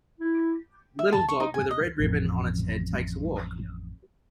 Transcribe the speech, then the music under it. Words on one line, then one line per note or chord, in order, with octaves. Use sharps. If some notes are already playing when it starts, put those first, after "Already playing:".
A little dog with a red ribbon on its head takes a walk.
E4
E5
A5
C#6
D#4
G#5
D#5
A1 F2